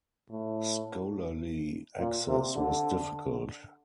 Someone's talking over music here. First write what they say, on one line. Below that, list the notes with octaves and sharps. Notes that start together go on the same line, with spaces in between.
Scholarly access was difficult.
A2
A#2
C3
D3